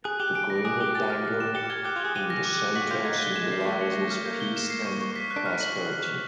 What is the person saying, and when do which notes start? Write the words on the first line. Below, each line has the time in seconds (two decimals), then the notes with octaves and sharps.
The green rectangle in the center symbolizes peace and prosperity.
0.04 G#4 F#6
0.20 G4 F#6
0.35 D7
0.50 A#6
0.65 G#4 D6
0.80 G4 D7
0.95 G4 A6
1.10 F6
1.25 F6
1.40 E7
1.55 G4 C#7
1.70 G4 G#6
1.85 G4 F#6
1.96 F4
2.00 G#4 F#6
2.15 G4 D#7
2.30 A#6
2.45 D6
2.61 D6
2.75 F#4 B6
2.91 F4 G6
3.05 D#4 G#6
3.16 A3
3.20 G3 G7
3.35 G#3 E7
3.51 G3 C7
3.66 A3 C#6
3.81 C#7
3.95 A#6
4.10 F6
4.26 A#3 G6
4.40 G7
4.56 E7
4.70 C7
4.86 C#6
5.01 C#6
5.16 B6
5.31 F#6
5.36 D4
5.46 D#4 F6
5.61 F#7